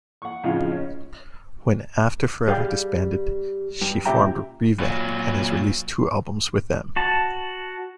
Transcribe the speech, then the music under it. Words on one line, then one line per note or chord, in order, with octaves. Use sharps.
When After Forever disbanded, she formed ReVamp and has released two albums with them.
F#5 C#6
F2 A2 C#3 D#4 F4
C#4
G3 G#4 F5 G5
G2
A#2 C#3 G4 E5 G5 A#5
A#2 F#3
F#4 A5